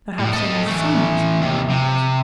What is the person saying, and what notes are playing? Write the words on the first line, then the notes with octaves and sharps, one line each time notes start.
'Perhaps he has sons?' I asked.
A2
A4 D#5
E3 A3
D#2 C3
C3